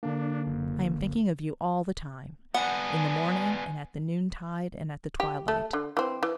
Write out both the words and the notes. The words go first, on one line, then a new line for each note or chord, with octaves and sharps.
I am thinking of you all the time. . . in the morning and at the noontide and at the twilight.
D3 A#3 D4
F#1
B3 D4 F#5 G#5
G4
A3
D3
E3 C4
E3